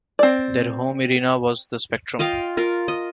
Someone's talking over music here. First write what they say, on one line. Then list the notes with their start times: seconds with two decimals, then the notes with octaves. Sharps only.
Their home arena was the Spectrum.
0.19 C4 D5
2.19 F4 D#5 F5 G5
2.57 F4 A#4
2.88 D#5